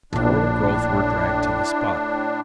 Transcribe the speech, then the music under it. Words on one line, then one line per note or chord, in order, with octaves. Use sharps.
Coral growth were dragged to the spot.
A#1 A2 D4 F4